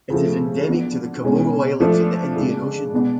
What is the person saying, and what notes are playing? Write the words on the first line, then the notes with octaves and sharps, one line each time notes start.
It is endemic to the Comoro Islands in the Indian Ocean.
C#3 F3 A3
F3 B3 D4
B2 G#3 C#4
F3 A3 D4
C#3 G#3 D4
B2 G#3 B3 D4